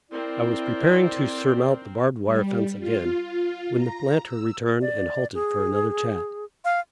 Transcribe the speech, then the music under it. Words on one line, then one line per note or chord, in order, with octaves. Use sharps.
I was preparing to surmount the barbed-wire fence again, when the planter returned and halted for another chat.
C4 E4 A#4 D5
G3
F4
F4
A#5
E6
D5
G#4
F5